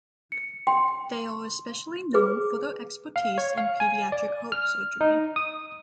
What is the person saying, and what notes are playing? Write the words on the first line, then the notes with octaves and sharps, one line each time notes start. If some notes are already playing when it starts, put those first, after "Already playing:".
They are especially known for their expertise in pediatric heart surgery.
C#7
G5 C6
G#4 B4
F5
C#5
F5
G#5
D5
F6
D#4
D#6